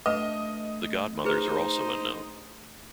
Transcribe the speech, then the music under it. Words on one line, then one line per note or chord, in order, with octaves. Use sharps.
The godmothers are also unknown.
A3 D4 B4 D#5
D#4 E4 G#4 B4 C5